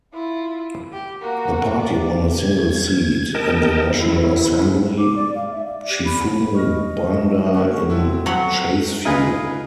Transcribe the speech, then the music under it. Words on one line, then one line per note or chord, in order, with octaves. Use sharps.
The party won a single seat in the National Assembly, Chifumu Banda in Chasefu.
E4 F4
G4
A#3 F#4
D5
G#6
A#4 D#5 G5 A5
E4
D6
D5
F5
E5
D5
G4
B5
D#5 C#6 F6 A#6
D3 A3 A#3 C#6
C4 E4 F#4 A4
F#3 A4 F#5 B6
D#4 F4 G#4 B4